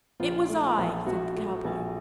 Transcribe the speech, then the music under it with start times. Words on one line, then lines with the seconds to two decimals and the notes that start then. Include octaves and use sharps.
"It was I," said the cowboy.
0.20 A#1 F4
0.49 A3
0.78 A#1
1.07 A#1 F#4
1.36 A3
1.65 A#1